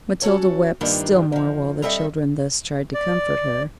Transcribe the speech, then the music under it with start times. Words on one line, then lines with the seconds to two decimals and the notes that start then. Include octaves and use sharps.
Matilda wept still more while the children thus tried to comfort her.
0.22 C#4 F#4 A4 C#5
0.81 G2 D#3 F3 G3 A#3 D4
1.32 D#3 F3
1.82 G3 C4 A4 D#5 E5
2.94 D5